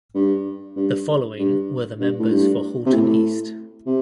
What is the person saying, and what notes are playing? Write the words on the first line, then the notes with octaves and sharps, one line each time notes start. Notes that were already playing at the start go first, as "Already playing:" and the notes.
The following were the members for Halton East.
G2
G2
G2
G2
A2
G2
C3
A2
C3